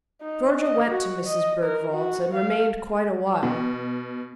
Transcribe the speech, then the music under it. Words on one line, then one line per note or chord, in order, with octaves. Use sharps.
Georgia went to Mrs. Bergwald's, and remained quite a while.
D#4
D#5
F#4
D#5
A#4
F#4
F5
B2